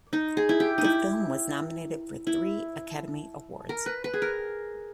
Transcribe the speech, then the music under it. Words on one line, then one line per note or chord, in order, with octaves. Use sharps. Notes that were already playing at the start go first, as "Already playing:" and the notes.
The film was nominated for three Academy Awards.
D#4
G#4
E4
G4
D#4
E4
E4
A#4
B4
B4
G#4
A#4